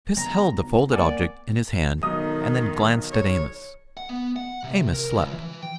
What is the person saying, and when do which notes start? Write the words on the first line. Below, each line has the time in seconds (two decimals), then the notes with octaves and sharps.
Chris held the folded object in his hand, and then glanced at Amos. Amos slept.
0.17 C#3 G3 B3 A#5
0.93 A#3 D5 F#5 G#5
2.03 B1 D#3 D#4 D#6
3.11 C#5
3.97 F#5
4.09 B3
4.36 F#5
4.63 C3
4.93 A#4
5.15 C#2
5.33 E3
5.63 G5